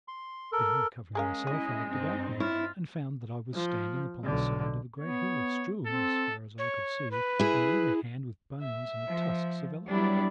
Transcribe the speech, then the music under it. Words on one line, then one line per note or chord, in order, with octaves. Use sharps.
Then, recovering myself, I looked about me, and found that I was standing upon the side of a great hill, strewn as far as I could see on either hand with bones and tusks of elephants.
C6
A4 A#4
G#3 C#4 G#4 A#4 F5
C#4 E4 G#4 D#5
G2 C4 D#4
E4 F4 C#5
F3
B1 D3
B3 C#5
C4 A4
C#5
B4
E4 G#4
E5
F3
F#3 G3 B3 D4 E4 D5